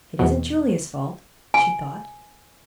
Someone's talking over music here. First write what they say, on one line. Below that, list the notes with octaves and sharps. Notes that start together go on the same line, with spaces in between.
"It isn't Julia's fault," she thought.
E2 B2
G#5